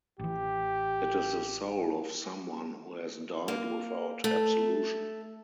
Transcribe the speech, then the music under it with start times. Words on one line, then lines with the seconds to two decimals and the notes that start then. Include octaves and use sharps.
It is the soul of someone who has died without absolution.
0.19 A1 E3 G4
3.48 A#3
4.24 A3